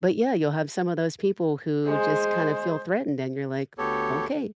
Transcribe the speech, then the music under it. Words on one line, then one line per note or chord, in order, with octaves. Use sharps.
But, yeah, you'll have some of those people who just kinda feel threatened and you're like, "Okay."
G#3 G#4 C5
D2 B3 G4 A4 C#5